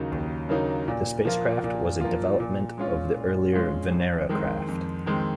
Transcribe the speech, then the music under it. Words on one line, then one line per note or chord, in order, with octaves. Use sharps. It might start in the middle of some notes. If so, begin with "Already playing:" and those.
The spacecraft was a development of the earlier "Venera" craft.
Already playing: D#2 C#3 F#3 A#3 D#4
D#2
C#3 F#3 A#3 D#4
A#2
F3 A#3 F4
A#2
F3 A#3 F4
A#2
G#3 C#4 F4
A#2
G#3 C#4 F4
F2
D#3 G#3 C4
F2
D#3 G#3 C4